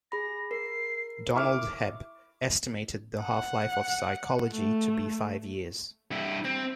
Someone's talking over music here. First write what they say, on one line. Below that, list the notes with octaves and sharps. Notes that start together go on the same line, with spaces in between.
Donald Hebb estimated the half-life of psychology to be five years.
G#4 B5 A#6
A#4 C7
E4 C#6 D6 F6
F#5
A3
G2 E4
C4